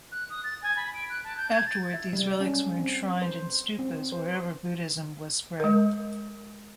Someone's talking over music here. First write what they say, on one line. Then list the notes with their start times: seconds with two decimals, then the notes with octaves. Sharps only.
Afterward, these relics were enshrined in stupas wherever Buddhism was spread.
0.12 F#6
0.30 D#6
0.44 A6
0.62 G#5
0.76 B5
0.94 D7
1.10 F#6
1.24 A5
1.37 G6
1.52 G#6
1.67 A6
1.94 E5
2.13 G3
2.40 C#4
2.79 C4
3.22 C5
3.79 C4
4.12 C5
5.60 G#3 A#4